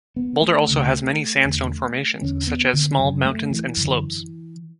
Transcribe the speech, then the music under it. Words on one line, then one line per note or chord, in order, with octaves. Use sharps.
Boulder also has many sandstone formations, such as small mountains and slopes.
B3
A3
D2 C#3
E2 D3
E2 D3 C#4
B3
D3
F#2 C#3 F#3
A3
E3
F#2 D3